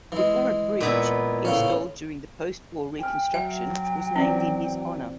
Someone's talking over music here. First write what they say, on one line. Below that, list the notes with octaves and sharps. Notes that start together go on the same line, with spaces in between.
The current bridge, installed during the post-war reconstruction, was named in his honor.
E3 G#3
A#2 B3 E4
A2 C#3 C#4
G5 G#5 F6
F#3 E5
E3 C4 C#4 D5